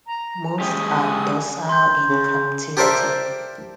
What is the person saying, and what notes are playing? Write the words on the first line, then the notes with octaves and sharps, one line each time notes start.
Most are docile in captivity.
A#5
G#3 C#4 G4 D#6
C6 G6
C#3
G4 A4 A#4 C5 D5 E5